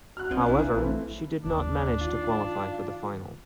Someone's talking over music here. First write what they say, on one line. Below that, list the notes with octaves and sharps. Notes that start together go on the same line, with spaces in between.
However, she did not manage to qualify for the final.
F#4 F6 F#6
A#1 C4 C#5 D#5
D4 E4 G#5
A#1 A#3 B4
E3 A3 C4 E4
F#1 D#2 D4
D#3 F4